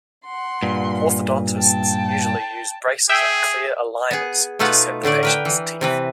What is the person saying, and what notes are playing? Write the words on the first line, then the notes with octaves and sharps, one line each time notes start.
Orthodontists usually use braces and clear aligners to set the patient's teeth.
F#5 C6
G2 A#2
G5 A5
G#4 E5 G5
B3 G#4
B2 A3 D#4 F4 B4 F#5
A2 D3 A3 D5
A#4 B4 G5
E3
C3 E3 B4